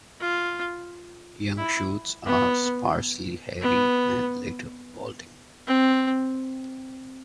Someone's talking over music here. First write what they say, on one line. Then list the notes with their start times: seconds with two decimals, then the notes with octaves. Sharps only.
Young shoots are sparsely hairy and later balding.
0.20 F4
1.57 E4
2.26 B3
3.62 B3
5.67 C4